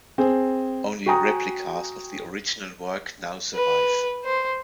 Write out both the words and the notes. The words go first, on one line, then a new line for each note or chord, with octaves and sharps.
Only replicas of the original work now survive.
C4 G#4
F#4 G5 G#5 A#5 D#6
B4
C5